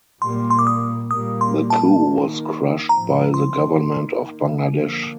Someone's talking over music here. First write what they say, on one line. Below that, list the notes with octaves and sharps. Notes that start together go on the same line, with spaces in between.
The coup was crushed by the government of Bangladesh.
A#2 G3 A#3 C6
C6
D6
D#6
A#2 G3 A#3 D#6
C6
A5
D#3 A#3
A2 F3 C4 A#5
C6
D#3 A#3
D3 F3 A#3